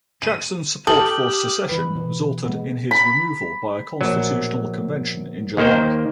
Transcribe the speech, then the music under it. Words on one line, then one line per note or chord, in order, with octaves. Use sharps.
Jackson's support for secession resulted in his removal by a constitutional convention in July.
D#7
G4 A4 D#6 F6 F#7
E3 B4
B2 E3
G#3 B3
B5
A#1 F#3
D#2 D#3 A#3 C5 G5